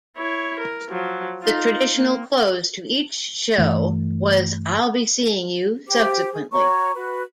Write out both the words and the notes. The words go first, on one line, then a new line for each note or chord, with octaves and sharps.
The traditional close to each show was "I'll be seeing you subsequently.".
E4 C#5
A#4
F3 F#3
D#4 F4
A#3
G2 E3 A3
G4 C5 D6
G#4
F#4 C#5 A#5 C#6
F#4 B4